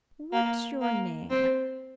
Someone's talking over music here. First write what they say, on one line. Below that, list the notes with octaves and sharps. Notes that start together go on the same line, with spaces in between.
"What's your name?"
A#3
A#3
C4